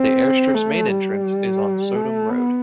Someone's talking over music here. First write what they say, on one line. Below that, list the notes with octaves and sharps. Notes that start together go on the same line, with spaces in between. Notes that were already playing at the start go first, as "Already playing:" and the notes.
The airstrip's main entrance is on Sodom Road.
Already playing: C4
A3
G3
A3
B3